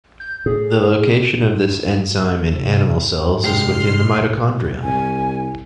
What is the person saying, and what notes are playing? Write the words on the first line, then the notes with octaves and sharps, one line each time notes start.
The location of this enzyme in animal cells is within the mitochondria.
G6
A2 G#4
C3
C2 G#3 G4 C6 F6
C2 G#5